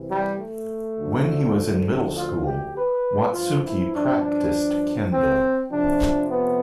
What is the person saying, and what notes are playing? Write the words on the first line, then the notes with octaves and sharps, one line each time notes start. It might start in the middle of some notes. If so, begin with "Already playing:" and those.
When he was in middle school, Watsuki practiced kendo.
Already playing: C2 C3 E3
G3
A3
D2 D3 F3
F4
G4
B4
G2 F3 F4
E4
D4
D4
C4
F2 C3 F3 D4
B3